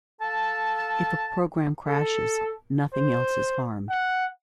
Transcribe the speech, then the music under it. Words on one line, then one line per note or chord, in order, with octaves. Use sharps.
If a program crashes, nothing else is harmed.
A4 F5 A5
A4
C5
F#5